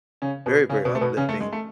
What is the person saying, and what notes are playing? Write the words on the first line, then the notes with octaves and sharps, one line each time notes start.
very, very uplifting,
C#3 C#4
B2 B3
C#3 C#4
B2 B3
A3
B2 B3
C#3 C#4
A3
G#3
A3